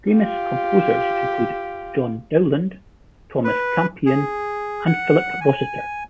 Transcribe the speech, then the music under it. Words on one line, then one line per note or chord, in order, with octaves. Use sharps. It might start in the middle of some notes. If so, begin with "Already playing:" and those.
Famous composers included John Dowland, Thomas Campion and Philip Rosseter.
F4 G4
B4
G#4
F#5
G#5